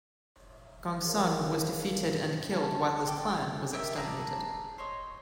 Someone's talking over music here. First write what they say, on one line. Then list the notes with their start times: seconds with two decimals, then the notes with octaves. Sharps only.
Gongsun was defeated and killed while his clan was exterminated.
1.04 G#4 A#4 C5 C#5 F5 A5
2.52 A5
3.06 A4 G5 D6
3.72 G4 A#4 D#5 E5
3.95 G#4 D5 A5 A#5
4.78 C5 C#5 D#5